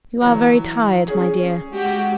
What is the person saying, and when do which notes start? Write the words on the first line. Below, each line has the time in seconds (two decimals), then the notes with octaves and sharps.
You are very tired, my dear.'
0.22 E3 F#3
1.08 C#4 G#4
1.72 G#3 F#4 G4